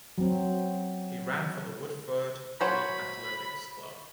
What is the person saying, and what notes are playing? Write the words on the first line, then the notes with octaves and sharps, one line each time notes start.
He ran for the Woodford Green Athletics Club.
F#3 C4
F#3 C5 C#5 B5